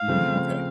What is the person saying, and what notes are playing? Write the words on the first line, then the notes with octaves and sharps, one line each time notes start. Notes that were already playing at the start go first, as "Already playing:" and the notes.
Mm, okay.
Already playing: F5
C#3 F3 A3 C4